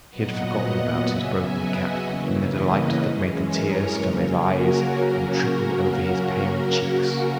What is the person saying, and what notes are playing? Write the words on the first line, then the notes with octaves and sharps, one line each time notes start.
He had forgotten about his broken cap in the delight that made the tears fill his eyes and trickle over his pale cheeks.
A#2 F#3 B3 D#5 F#5
C#3 F#3 B3 E5 G#5
D#5 F#5
E2 C#3 E3 A#3 C#4
B4 D#5
F#2 E3 G#3 C#4
A#4 C#5
C#3 F#3 A#3 C#4
F#4 A#4